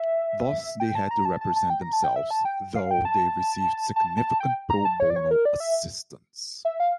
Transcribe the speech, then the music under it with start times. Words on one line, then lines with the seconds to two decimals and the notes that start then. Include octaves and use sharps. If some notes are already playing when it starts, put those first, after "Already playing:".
Thus, they had to represent themselves, though they received significant pro bono assistance.
Already playing: E5
0.80 G5
0.95 A5
1.11 A#5
1.25 A5
1.41 A5
1.56 A5
1.70 G5
1.82 A#5
1.93 A5
2.04 G5
2.16 E5
2.31 A5
2.45 G5
2.75 F5
2.91 G5
3.05 A5
3.96 A5
4.17 A5
4.40 G5
4.70 A#5
4.85 A5
5.00 C#5
5.10 D5
5.16 C#5
5.31 A#4
5.45 D5
5.60 E5
6.65 E5
6.80 F5